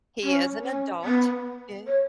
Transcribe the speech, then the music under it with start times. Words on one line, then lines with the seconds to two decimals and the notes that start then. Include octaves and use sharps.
He is an adult, ye
0.23 C#4
0.63 C#4
1.04 B3
1.87 C#5